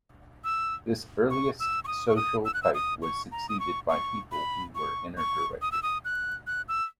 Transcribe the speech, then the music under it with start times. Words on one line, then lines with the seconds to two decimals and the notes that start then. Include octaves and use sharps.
This earliest social type was succeeded by people who were inner-directed.
0.44 E6
1.30 C#6
1.60 E6
1.84 C#6
1.87 D#6
2.08 C#6
2.16 D#6
2.45 E6
2.54 F#6
2.63 E6
2.74 D#6
3.02 C#6
3.32 A#5
3.49 D#6
3.60 C#6
3.89 C#6
4.32 B5
4.75 C#6
5.17 C#6
5.62 D#6
5.72 E6
5.83 D#6
6.05 F#6
6.47 F#6
6.68 E6